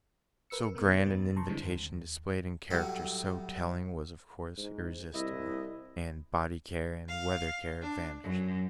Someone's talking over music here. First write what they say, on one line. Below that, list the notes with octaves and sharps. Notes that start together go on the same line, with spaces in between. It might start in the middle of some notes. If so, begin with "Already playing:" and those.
So grand an invitation displayed in characters so telling was of course irresistible, and body-care and weather-care vanished.
A#4 B4 E6 C#7
C3 B3 A#4
E2 B3 A6
F#2 C3 A5 A#5 C6 C#6
D3 E3 G3 G#3 C4
D#2
A2 F#3 G3
G#2
C2 E4 D#5
F5
D4
F#2